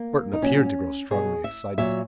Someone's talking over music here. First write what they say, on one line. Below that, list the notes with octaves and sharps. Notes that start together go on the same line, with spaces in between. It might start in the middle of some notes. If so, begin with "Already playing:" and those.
Burton appeared to grow strongly excited.
Already playing: A#3
D#4
A#2 F#3 C#4
B2 F#3 G#4
E5
A#2 F#3 E5